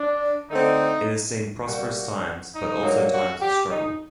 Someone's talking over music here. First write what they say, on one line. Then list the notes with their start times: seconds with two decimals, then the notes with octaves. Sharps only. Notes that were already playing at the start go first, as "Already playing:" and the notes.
It has seen prosperous times, but also times of struggle.
Already playing: D4
0.49 D3 A3 C4 D#4
1.66 C3 G3 A#3 F#4
1.95 F#4
2.54 D#4
2.83 G2 F#3 A#3
3.12 F#4
3.41 G4
3.71 D#4